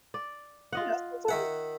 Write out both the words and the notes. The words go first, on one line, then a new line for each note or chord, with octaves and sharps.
you know, sometimes
D5
F4 D#5 F#5
D#3 A#4 E5 F#5